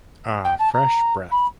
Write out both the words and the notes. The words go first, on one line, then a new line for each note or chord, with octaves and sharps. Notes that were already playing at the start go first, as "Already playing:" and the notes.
Ah fresh breath.
G5
A5
A#5
B5